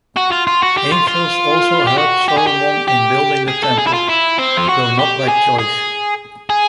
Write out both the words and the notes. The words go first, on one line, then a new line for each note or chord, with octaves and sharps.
Angels also helped Solomon in building the Temple; though not by choice.
F#4
F4
F4
F#4
G4
F4
F4
G4
F#4
G4
G#4
G4
G4
G#4
A4
G#4
E4
F4
E4
C4
F4
F#4
G4
G#4
G#4
G#4